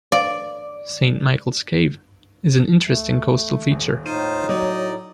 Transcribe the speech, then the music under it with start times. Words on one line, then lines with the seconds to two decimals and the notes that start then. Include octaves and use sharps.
Saint Michaels Cave is an interesting coastal feature.
0.12 D5 F5
2.86 A3
3.71 D#1
4.06 A2 D#4 F4 C5 D#7
4.49 F#3 D5 D#5